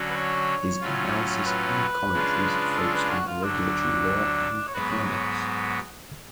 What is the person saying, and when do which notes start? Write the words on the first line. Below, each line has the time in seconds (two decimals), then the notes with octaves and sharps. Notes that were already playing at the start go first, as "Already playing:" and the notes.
His analysis and commentaries focus on regulatory law and economics.
Already playing: D3 F#3 C#4 F#4
0.10 B4
0.16 C#5
0.81 A2 F#3 C#4 F4
1.46 B4
2.13 C#3 G#3 D4 F4
2.77 A4
2.94 B4
3.11 F#4
3.27 F4
3.43 D2 D3 F#3 D4
4.67 C#5
4.74 G#2 F#3 B3 F#4 B4
4.91 C#5
5.07 C#5